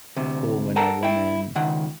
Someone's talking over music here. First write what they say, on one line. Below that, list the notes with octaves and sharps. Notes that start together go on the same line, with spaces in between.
cool when a woman
D2 C3
A4 A#4 F#5 A5 A#5
E4 G5
C#2 D#3 F#5